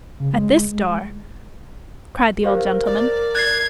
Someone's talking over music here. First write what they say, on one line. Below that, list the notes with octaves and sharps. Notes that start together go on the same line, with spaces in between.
'At this door!' cried the old gentleman.
C#3
G#3
G4 A#4 C5 F5
D5
F#6 G#6 A6 C7